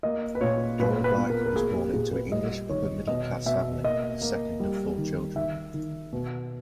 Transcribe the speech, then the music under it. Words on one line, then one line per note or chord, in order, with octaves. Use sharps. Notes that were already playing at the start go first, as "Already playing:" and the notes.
Dora Black was born into an English upper-middle-class family, the second of four children.
A#3 D#5
B4
A#2 C#5
A#2 B4
B4
B3
A#4
A#4
A#3 G#4
G4
A#2 G#4
B4
G3 D#5
D#3 C#5
B2 D#5
B2 E5
A#3 D#5
A#3
G3
D#3
D#3 E5
D#3
B2